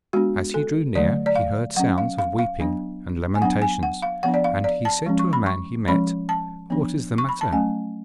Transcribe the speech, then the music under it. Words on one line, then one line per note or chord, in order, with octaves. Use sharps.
As he drew near he heard sounds of weeping and lamentations, and he said to a man he met: 'What is the matter?'
G#3 B3 D4 F#4
A4
D3 F#3 A3 D5
D5
F5
F#3 C#4 F#5
F5
F5
F5
F#3 B3 D4
G#5
F#3 B3 D4 F#5
G#5
F#5
F5
F3 B3 D4 F#5
D5
F5
D5
A5
F3 G#3 C#4
C#6
B5
C#6
F3 G#3 C#4 B5
A5
F3 B3 D4
C#6
B5
A5
F#3 A3 C#4 G#5